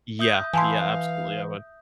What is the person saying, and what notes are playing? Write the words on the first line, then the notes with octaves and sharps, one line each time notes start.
Yeah, yeah, absolutely, I would.
E5 D#6 G6
E3 F5 G#5 A5 C6